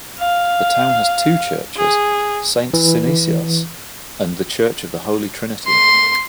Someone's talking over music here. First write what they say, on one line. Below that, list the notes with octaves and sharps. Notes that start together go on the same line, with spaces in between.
The town has two churches: Saint Synesios and the church of the Holy Trinity.
F5
G#4
E3
C6